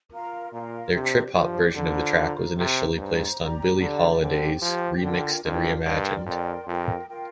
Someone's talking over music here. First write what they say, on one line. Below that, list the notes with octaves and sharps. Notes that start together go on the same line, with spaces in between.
Their trip-hop version of the track was initially placed on"Billie Holidays: Remixed and Reimagined".
F4 A#4 F5 A#5
A#2 F4 A#4 F5 A#5
C3 D4 G4 C5
F3 D4 G4 C5
D3 F4 C5 A#5
F4 C5 A#5
C3 C5 A#5
G2 C5 A#5
G4 D5 A#5
D3 G4 D5 A#5
D3 G4 C5 G5
F3 G4 C5 G5
D3 D4 F4 A#4 G5
F2 D4 F4 A#4 G5
G2 A#4 D5 G5 C6
F2 A#4 D5 G5 C6
F2 F4 A#4 G5
F4 A#4 G5